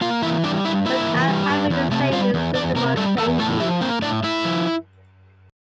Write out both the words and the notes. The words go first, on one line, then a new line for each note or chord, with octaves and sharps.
But I am happy to say it means "Itsumo Genki".
A#3 F4 F5
E3 E4 E5
G3 D4 D5
G2 E4 E5
A#3 E4 E5
E3
G3
G2
E2
C3 A3 A4
G3 F4 F5
E2
E2 D4 D5
C3 A#3 A#4
G3 A3 A4
E2 A3 A4
A2 A3 A4
F3 E4 E5
A#3 C4 C5
A2 D4 D5
A2 E4 E5
F3